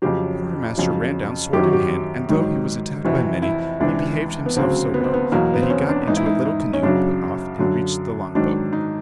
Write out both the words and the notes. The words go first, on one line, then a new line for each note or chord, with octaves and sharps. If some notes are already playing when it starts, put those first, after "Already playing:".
The quarter-master ran down sword in hand, and though he was attacked by many, he behaved himself so well, that he got into a little canoe, put off, and reached the long-boat.
F2 C#3 F#3 G4
F2 C#3 F#3
F#2 D#3 F#3 G4
F#4
G4
G#2 D#3 F#3
F2 C3 E3 F#4
E4
C#2 C3 E3 D4
B3
D2 C#3 F#3 C4
B3
C4
B3
E2 B2 F#3 A#3
B3
C4
C#4
D4
G#2 E3 D#4
E4
D#4
D#4
C#4
F#2 C#3 F#3 D4
F#2 D3 F#3
G#2 D#3 F#3 D4
D#4